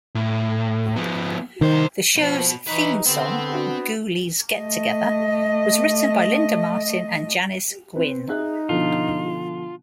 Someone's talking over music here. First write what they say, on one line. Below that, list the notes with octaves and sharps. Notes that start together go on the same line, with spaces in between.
The show's theme song, "Goolies Get-Together", was written by Linda Martin and Janis Gwin.
A2
F3 B3
C2 D#3 C5
B2 F3
E3 D#4 B4 C#5
D3 B3 C4
D4 F#4
A3 D#5
C4 B4
D#4 G#4 E5 F#6
B2 D3 F3 F4